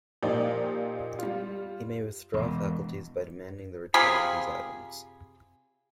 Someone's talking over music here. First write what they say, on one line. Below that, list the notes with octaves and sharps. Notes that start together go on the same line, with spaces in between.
He may withdraw faculties by demanding the return of these items.
A#2 F3 D#4 G4 D5
G3 F4
E1
C3 F4 G#4 B5